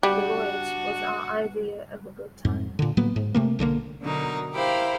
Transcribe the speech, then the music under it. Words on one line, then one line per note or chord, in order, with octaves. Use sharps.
The voyage was our idea of a good time.
G3 D4 F#4
F2 G#2
A#2 D3
A2 F#3 A#3 B3
G#2
C3 A3 A#3
B1 D3 G3 A#3
B2 D3 F#3 D#4 A#4
E4 G4 A#4 C5 F5 B5